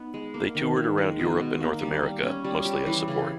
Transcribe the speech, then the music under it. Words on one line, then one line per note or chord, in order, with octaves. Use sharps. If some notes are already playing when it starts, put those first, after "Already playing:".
They toured around Europe and North America, mostly as support.
Already playing: B3 D#4
G#3
A#3
D#3
D#3
G#3
B2
B2
A#3
G3
G3
C#4
G3
G4
E3
C#3